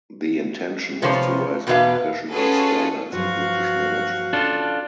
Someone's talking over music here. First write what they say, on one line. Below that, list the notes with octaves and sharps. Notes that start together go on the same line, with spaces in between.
The intention was to raise professional standards in British management.
C3 F3 B3 C5 C#5
E2 B2 B3 F4 B4 F5
C#4 F4 F#4 G#4 A4 B4
G2 F3 F#3 F#4 F5
C#4 D4 F4 A4